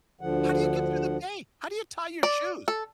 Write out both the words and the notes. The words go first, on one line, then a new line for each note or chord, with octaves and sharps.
“How do you get through the day? How do you tie your shoes?”
D2 D3 F3 F#5
D5
A4